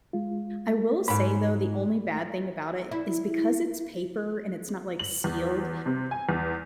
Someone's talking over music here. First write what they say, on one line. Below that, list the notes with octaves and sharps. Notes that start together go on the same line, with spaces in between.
I will say though, the only bad thing about it is because it's paper and it's not, like, sealed,
G#3 F4
G#2 B5
E4
F#7
E2
C3
G#5
E2